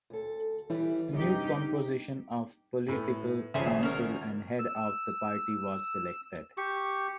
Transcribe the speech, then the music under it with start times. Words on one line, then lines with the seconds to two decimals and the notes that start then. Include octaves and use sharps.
The new composition of the Political Council and Head of the Party was selected.
0.10 D2 A4
0.70 E3 G3
1.13 G2 C3 G3 D#4 G4
2.88 A2 B3
3.54 G#1 C#3 F3 C5 E5 G#5
3.83 C#4 A#4
4.59 E6
6.57 G4 C#6